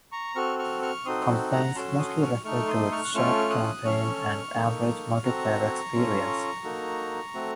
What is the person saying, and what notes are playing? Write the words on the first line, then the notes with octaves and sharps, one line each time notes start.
Complaints mostly refer to its short campaign and average multiplayer experience.
A#5 C#6
C4 F#4 A4 C#6 F6
C#6 F6
C#6 F6
C4 D#4 F#4 A4 C6 D#6
F#5 A#5
C#4 F#4 A4 A5 C6
C6 D#6
C#6 F6
A3 D#4 A4 C#6 F6
C6 D#6
C#6 F6
F#6
A3 C#4 F4 A4 C#6 F6
D#6 F#6
C#4 A4 C#6 F6
A#3 D#4 A4
C4 F#4 A4 A#5 C#6
C#4 F4 A4
A#3 D#4 F#4 A4
A3 C4 F#4 A4